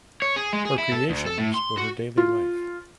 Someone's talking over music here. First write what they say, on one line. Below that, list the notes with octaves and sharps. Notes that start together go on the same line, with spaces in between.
Her creations were her daily life.
C#5
G#4
G#3
G#4
E4
A4
D2
A4
A2
C6
F#4
F4